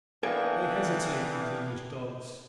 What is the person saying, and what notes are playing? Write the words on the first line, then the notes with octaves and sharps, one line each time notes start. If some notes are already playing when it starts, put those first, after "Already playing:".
They hesitate, these English dogs!
E3 A#3 B3 D4 A4 D5 G5 G#5